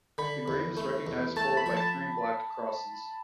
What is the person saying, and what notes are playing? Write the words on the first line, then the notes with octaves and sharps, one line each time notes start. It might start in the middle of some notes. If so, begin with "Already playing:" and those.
The grave is recognizable by three black crosses.
D3 B5
E2
A3
E2
A3 A5
B5
F3
A5